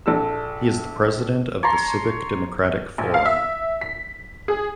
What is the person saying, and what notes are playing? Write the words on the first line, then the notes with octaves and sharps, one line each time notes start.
He is the president of the Civic Democratic Forum.
A#1 A4 E6
C#5 A5 A#5 C6
A#1
F5
E5
B6
G#4